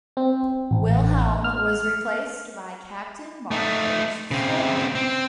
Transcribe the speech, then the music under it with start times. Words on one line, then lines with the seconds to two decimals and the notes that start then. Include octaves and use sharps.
Wilhelm was replaced by Captain Mark H. Scovill.
0.17 C4
0.71 A1
1.44 F6
3.51 A3 D#4
4.31 C#3 C4
4.95 C4